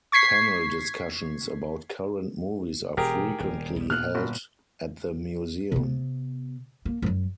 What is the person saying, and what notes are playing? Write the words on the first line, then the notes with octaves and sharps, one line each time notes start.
Panel discussions about current movies are frequently held at the museum.
C#6 G#6 B6 C7
E1 G4 G#4 A#4
D#1
B1 G3
A#2 B3 F6 F#6
G1
C3 B3
A#3
D1 F#2